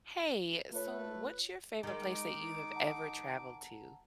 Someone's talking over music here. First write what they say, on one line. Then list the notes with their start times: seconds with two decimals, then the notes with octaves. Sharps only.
Hey, so what's your favorite place that you have ever traveled to?
0.72 A3 F4 B4 C#5
1.83 D#3 G#3 D#4 D6
2.75 F#5 A5 A#5